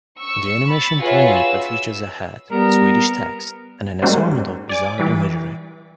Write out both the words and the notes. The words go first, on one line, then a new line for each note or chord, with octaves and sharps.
The animation prominently features a hat, Swedish text, and an assortment of bizarre imagery.
C#6 E6 C#7
B5 A6
F4 F#4 G#4 B4 C#5 E5
E6
G3 B3 A#4 A#5
G#2 G3 A#3 C#4 F#4 C5
D5 G#5 D6
E3 G3 B6